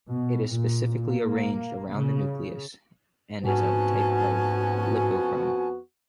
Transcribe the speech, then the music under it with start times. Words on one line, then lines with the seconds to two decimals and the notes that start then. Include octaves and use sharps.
It is specifically arranged around the nucleus, and is a type of lipochrome.
0.10 B2
0.49 A#2
1.04 A#3
1.93 C#3
3.44 F2 G#2 B3 C#4 F#4 G#5 A5